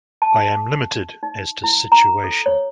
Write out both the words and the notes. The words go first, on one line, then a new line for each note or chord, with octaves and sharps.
I am limited as to situation.
A5
D#4
E4
A#5
A4
C#5